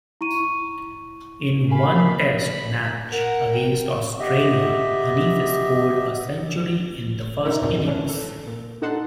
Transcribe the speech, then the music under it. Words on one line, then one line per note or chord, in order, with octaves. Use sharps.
In one Test match against Australia, Hanif scored a century in the first innings.
E4 C#6 D#7
A#3 F5 G#5 B5
B5
A#4 F#5
G5
B3 G4 D#5 E5
C#4 D#4 E4 A#4
A1 E2 B2 C4
E3 C#4 D4
A4
A#2
D4 D#4 A4 F#5 A5 C6